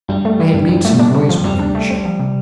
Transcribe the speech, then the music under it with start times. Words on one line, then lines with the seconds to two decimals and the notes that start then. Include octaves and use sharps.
We had made some noise within the ship.
0.09 G2 G3
0.25 A3
0.40 E3
0.54 G2
0.69 G2
0.85 A3
0.99 D4
1.15 A3
1.29 F3
1.44 C3 G3
1.59 D4
1.75 A3
1.90 C4
2.05 F3
2.19 C3